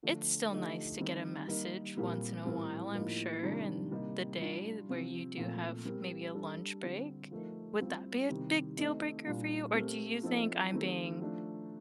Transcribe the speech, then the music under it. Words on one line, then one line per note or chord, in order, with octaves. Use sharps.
It's still nice to get a message once in a while, I'm sure, and the day where you do have maybe a lunch break. Would that be a big deal breaker for you, or do you think I'm being
D3 F3 A3 D4
D3 F3 A3 D#4 G4
D#3 G3 C4 D#4
G3 A#3 D#4 A#4
A#2 G3 C4 G4 A#4
A2 G3 C4 F4 A#4
A2 F3 A#3 D#4
C3 D#3 G3 D4 F4
C3 G3 A#3 D#4 G4
G3 D4 F4
C3 F3 C4
A#2 F3 A3 C4
G3 C4 G4 A#4
G3 D4 A4
D3 G3 C4 F4
F3 A3 D#4 A#4
G3 C4 F4
C3 D#3 G3 C4 G4
A3 C4 D#4
A#2 G3 D4 F4
A3 C4 G4 A#4
F3 C4 D#4 A4
D#3 A3 C4 G4
F3 A3 D4